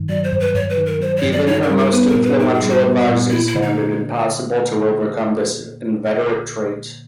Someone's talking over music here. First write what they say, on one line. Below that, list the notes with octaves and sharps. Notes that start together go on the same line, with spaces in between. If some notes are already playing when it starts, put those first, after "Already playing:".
Even her most influential advisers found it impossible to overcome this inveterate trait.
Already playing: G2 D#3
F#3 D5
C5
G2
B4
G2 C#5
B4
D#3
A#4
F#3 C5
C#5
G2
D5
D#4 C#5
A#4
G3
A#4
B3 B4
A#4
A#2
B4
D#4 A#4
G#4
G3
F#4
B3
A#2
A#3 E4
E4
D3
D#4